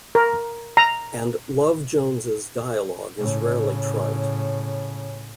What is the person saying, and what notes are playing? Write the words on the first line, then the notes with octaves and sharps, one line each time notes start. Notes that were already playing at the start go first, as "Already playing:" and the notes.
And "Love Jones"'s dialogue is rarely trite.
A#4
A#5
A2 C#3